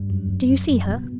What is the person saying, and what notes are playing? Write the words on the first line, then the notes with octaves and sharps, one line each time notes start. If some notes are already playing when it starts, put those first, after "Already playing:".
Do you see her?'
Already playing: G2
F#2
F#2
F#2
F#2
B2